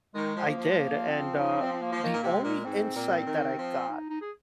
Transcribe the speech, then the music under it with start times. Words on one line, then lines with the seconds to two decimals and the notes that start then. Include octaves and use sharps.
I did and, uh, the only insight that I got
0.15 D#3 G#3
0.36 F3
0.46 A#3
0.57 F3
0.71 G#3
0.78 A#3
1.08 C4
1.39 D#4
1.60 C4
1.73 C4
1.81 A#3
1.92 F3
2.02 D#3 A#3
2.14 A#2
2.23 C3
2.33 G#3
2.44 A#2
2.64 G#2 C4
2.95 A#2
3.27 D#3
3.58 F3
3.89 D#4
4.10 D#4
4.21 G#4